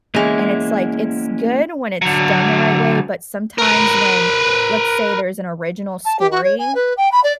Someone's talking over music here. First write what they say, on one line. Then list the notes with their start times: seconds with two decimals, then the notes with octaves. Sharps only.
And it's, like, it's good when it's done the right way, but sometimes when let's say there's an original story
0.15 E2 G#3 A#3 C#4 E4
2.02 D3 F#3
3.58 A#4 B4
6.05 A5
6.19 G4
6.31 F#4
6.43 C#5
6.58 G#5
6.75 B4
6.97 G5
7.12 B5
7.23 D5